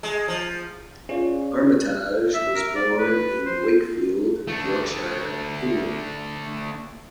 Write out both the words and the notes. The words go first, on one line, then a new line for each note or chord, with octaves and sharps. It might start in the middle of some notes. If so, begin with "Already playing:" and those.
Armitage was born in Wakefield, Yorkshire, England.
G#3
F3
C#4 F4 G#4 C#5 D5
E5
A#4
D5
B4
C5
A3 D4